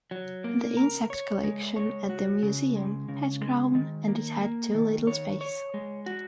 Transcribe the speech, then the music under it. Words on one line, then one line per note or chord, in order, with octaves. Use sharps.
The insect collection at the museum had grown and it had too little space.
F#3
A#3
A#4
C#5
G#3
C#5
F#4
C#3
G#3
C#3
G#3
D#3
A#3
A#3
D#3
C#5
C#5
G#3
F#4